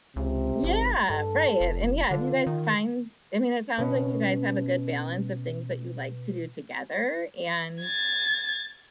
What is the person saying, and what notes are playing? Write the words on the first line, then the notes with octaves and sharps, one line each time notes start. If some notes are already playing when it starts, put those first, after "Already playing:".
Yeah, right. And, yeah, if you guys find I mean, it sounds like you guys have a good balance of things that you like to do together and,
C#2 C3
G#1
G2 A4
F1
D3 F4
D#3
B2 C#4
G#6 A6